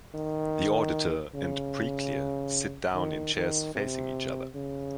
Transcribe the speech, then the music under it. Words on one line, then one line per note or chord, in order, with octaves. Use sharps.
The auditor and pre-Clear sit down in chairs facing each other.
D#3
C#3
D#3
D#3
C3
C#3